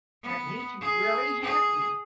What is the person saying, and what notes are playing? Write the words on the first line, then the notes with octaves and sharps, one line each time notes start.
that made you really happy?
B3
G#4
G#4